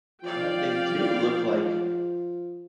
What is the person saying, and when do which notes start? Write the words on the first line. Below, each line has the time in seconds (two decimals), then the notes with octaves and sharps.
you know, they do look like
0.23 F3 D5 F5 G5